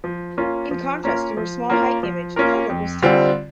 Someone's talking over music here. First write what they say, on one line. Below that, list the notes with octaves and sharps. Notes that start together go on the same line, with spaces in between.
In contrast to her small height image, Colbert was tall.
F3
A#3 C#4 F4 A#4
F3
A#3 C#4 F4 A#4
F3
A#3 C#4 F4 A#4
F3
A#3 C#4 F4 A#4
F2
D3 G3 C4 F4